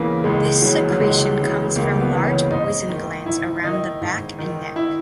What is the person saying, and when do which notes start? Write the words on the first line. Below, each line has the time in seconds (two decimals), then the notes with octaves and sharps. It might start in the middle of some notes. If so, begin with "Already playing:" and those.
This secretion comes from large poison glands around the back and neck.
Already playing: C#2 C#3 E3 A#3 B3
0.24 C#2 G#3
0.62 C#3 E3 F#3
0.90 F#3
1.00 C#2 G#3
1.38 C#3 E3
1.75 C#2 A#3
2.00 B3
2.13 C#3 E3
2.26 C#4
2.51 G#2 D#4
2.89 D#3
3.26 G#2 E4
3.63 D#3 D#4
4.01 G#2
4.38 D#3
4.76 E4